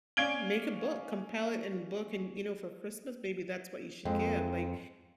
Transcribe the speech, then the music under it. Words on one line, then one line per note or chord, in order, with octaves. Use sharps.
Make a book, compile it and book, and, you know, for Christmas, maybe that's what you should give, like,
C#4 D5 F5 G#6 D7 G7
F2 G#3